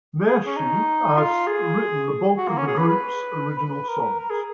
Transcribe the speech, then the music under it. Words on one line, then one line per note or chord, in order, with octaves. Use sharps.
Nershi has written the bulk of the group's original songs.
G#4
C#4
D#4
F4
G#4
F#4
A#3
C#4
G#4
B4
B4
B4
A#4
A#4
G#4